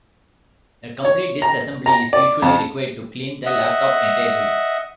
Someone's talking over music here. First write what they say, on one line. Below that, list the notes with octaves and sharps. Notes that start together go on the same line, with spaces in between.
A complete disassembly is usually required to clean the laptop entirely.
C#5
A#5
A#5
D5
F2
D#5 E5 F#5